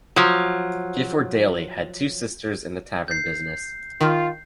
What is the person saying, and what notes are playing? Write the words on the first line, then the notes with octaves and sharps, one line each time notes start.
Gifford Dalley had two sisters in the Tavern business.
F3 F#3
G6 C7
D#3 F4